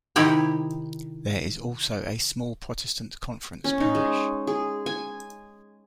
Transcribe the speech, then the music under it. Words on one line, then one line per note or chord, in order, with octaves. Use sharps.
There is also a small Protestant Conference parish.
C3 D#3 D#4 E4 G4
C#4
D#4
G#3
G#4
G#5